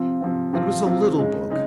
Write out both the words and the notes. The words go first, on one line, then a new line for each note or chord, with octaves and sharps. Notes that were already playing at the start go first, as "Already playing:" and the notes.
It was a little book.
Already playing: C3 F3 C4 F4
C3 F3 C4 F4
C3 F3 C4 F4
C3 F3 C4 F4
C#3 G#3 D#4
C#3 G#3 D#4